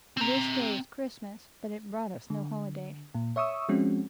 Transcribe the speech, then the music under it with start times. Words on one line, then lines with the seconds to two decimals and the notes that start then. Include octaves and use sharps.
This day was Christmas, but it brought us no holiday.
0.17 C4 A#5
2.30 D3
3.15 A#2
3.36 C#5 E5 C#6 D#6 E6
3.69 F3 G#3 C4 C#4 F#4